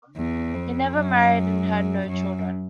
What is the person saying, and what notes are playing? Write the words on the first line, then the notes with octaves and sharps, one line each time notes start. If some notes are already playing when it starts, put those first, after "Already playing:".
He never married and had no children.
E2
F2
F#2
F#2